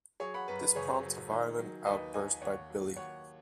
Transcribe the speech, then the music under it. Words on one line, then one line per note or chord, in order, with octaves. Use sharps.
This prompts a violent outburst by Billy.
F#3 G#4 C#5
F#5 B5
F#2 B4
B4
F#1 G#4 C#5
F#3
D#3
F#3
D#2 B4 D#5
D#2 D#5 G#5
D#2 C#5 F#5
F#3
D#2 C#5 F#5